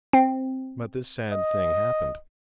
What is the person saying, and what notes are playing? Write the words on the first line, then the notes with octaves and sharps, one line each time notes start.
But this sad thing happened.
C4
D#5